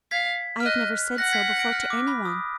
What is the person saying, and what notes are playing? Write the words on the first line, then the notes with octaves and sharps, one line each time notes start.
I have never said so before to any one.
F5 G#6 B6
F6
D#5 F#6
F#5 F#6 A#6
G#6 B6
A#6 D7
F6
D6
B5
D#6